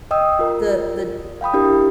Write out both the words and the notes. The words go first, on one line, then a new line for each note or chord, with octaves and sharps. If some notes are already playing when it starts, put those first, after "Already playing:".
the the
D#5 G5 D#6 E6
F4 A#4
F5 G5 B5 D#6
D4 E4 G4 A#4